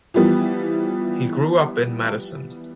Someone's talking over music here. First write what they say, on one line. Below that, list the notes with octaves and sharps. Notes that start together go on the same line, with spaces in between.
He grew up in Madison.
E3 F3 G3 B3